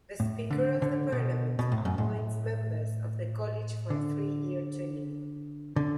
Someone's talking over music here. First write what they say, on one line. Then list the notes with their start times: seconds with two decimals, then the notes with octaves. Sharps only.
The Speaker of the Parliament appoints members of the College for a three-year tenure.
0.20 A2
0.51 D3
0.82 D3
1.12 B2
1.59 B2
1.72 A2
1.85 F#2
1.98 A2
3.90 D3
5.76 D3